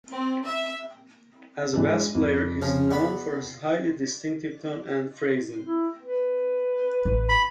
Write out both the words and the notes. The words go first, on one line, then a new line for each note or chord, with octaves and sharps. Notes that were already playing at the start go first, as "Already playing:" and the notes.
As a bass player, he is known for his highly distinctive tone and phrasing.
C4
E5
E3 G#3 D4
F2
C#3 F3
B3 G#4 D5 B5
E4
B4
A1
B5